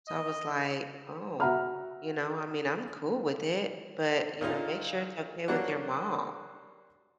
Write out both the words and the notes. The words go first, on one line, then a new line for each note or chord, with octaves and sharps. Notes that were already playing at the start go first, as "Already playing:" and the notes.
So I was like, "Oh, you know, I mean, I'm cool with it, but, you know, make sure it's okay with your mom."
D#5
F#4 E5 F#5 A#5 B5 F6
A#2 C#3 D#4 F4
F#3 G3 A#3 D4 F#4